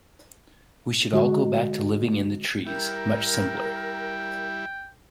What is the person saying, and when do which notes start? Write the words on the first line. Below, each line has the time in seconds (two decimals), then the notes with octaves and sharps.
We should all go back to living in the trees, much simpler.
1.13 D3 G#3 F#4
2.66 G3 E4 A#4 G5